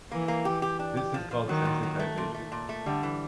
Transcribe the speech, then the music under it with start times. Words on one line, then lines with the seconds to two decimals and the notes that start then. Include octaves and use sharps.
This is called sensitization.
0.11 E3 A#3
0.28 A#3
0.45 G4
0.62 G4
0.79 D4
0.97 G4
1.14 F3
1.31 F3
1.49 D#3 F#3
1.65 A#2
1.83 F#3
1.99 A3
2.17 A#2
2.34 A3
2.52 A#2
2.69 A3
2.86 D3 G3
3.03 E3